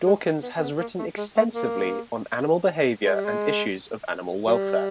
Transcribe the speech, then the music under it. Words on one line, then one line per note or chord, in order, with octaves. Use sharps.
Dawkins has written extensively on animal behaviour and issues of animal welfare.
G#3
B3
C4
B3
A#3
A3
G#3
A3
A#3
G#3
G3
G#3
F#3
G3